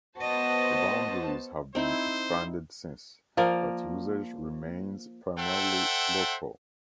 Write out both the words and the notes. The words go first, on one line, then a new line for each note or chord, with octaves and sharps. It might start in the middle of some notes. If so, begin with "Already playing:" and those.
The boundaries have been expanded since, but usage remains primarily local.
B3 F#4 C5 D#5 A5
C4 D#4 E4 C5
F3 A#3 A#4 D5
A4 C5 E5 F#5 G5